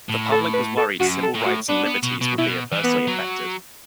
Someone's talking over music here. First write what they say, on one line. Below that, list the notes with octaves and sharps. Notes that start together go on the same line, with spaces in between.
The public was worried civil rights and liberties would be adversely affected.
A2
A4
B4
A4
F#2 F#4
A4
A2
F#4
B3 D4
B3
B2
B2
B2 E4
E3
B3
F#3